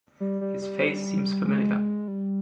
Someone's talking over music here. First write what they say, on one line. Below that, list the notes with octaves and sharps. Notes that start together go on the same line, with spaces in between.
His face seems familiar.
G3
G3
G3
G#3
G3